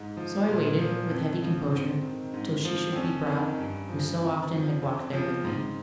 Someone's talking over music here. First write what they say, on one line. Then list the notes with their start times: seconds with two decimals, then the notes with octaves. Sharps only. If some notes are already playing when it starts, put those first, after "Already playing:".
So I waited, with heavy composure, till she should be brought, who so often had walked there with me.
Already playing: G#2 D#4
0.17 F3
0.48 A#2
0.79 F3
1.10 F2
1.41 C#3 F3
1.72 G#2 C4
2.03 D#3
2.34 G#2
2.65 F3
2.92 C4
2.95 F2 C#4
3.27 D#3
3.58 G2
3.89 F3
4.20 F2
4.51 C#3 F3
4.82 F2 C4
5.13 C#3 F3
5.45 G#2